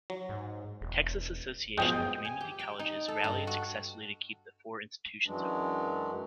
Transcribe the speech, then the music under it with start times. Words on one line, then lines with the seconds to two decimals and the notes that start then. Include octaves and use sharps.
The Texas Association of Community Colleges rallied successfully to keep the four institutions open.
0.10 F#3
0.29 G#2
0.81 E1
1.78 F#2 B2 F3 G#3 G5 D#6 G6
2.25 G#5
2.41 G4
2.59 G5
2.79 D#4
3.08 A4
3.24 G2
3.47 F#4
5.26 F#2 E3 F#3 G#3 D4